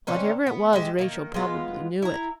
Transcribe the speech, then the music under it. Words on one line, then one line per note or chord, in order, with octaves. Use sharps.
Whatever it was Rachel probably knew it.
D3 C4 C#4 D#4
B3
G#3 G4 E5
D#3 A#3
G#3 B3 F4
E4 A#5